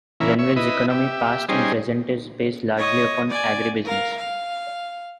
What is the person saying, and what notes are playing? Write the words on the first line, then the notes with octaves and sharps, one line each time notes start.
Renville's economy, past and present, is based largely upon agribusiness.
E3 A#3 C#4 E4
C#5 E5
E4 B4 D#5
G4 E5
G3 C#4 D#4 G#4 C5
C#5 D#5
D5 G#5
A#4 F5
F5